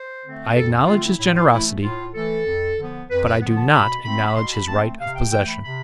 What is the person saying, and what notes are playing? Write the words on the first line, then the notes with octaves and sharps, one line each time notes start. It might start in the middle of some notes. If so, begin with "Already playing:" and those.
I acknowledge his generosity, but I do not acknowledge his right of possession.
Already playing: C5
D3 A3 C4
F2 A4
D3 A3 C4 F4
E4
A2 E4
F4
E3 A3 E4
A2 F4
E3 A3 A4
F2
D3 F3 B3
F2 B4
B4
D3 F3 B3
A5
B2 B5
A3 C4 B5
B5
B2 C6
B5
A3 C4 A5
C3 F5
G5
E3 A3 G5
B5
C3 B5